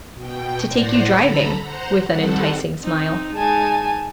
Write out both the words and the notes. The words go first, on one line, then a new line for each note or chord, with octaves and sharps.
'To take you driving,' with an enticing smile.
B2 G5
A2 C5 D5 F#5 A#6 C7
D3 A4 A#5 B5
C5 F#5 A#5
D#3 G3 C4 A4 F#5
C4 D#4
G#3 D#4 G#5 A5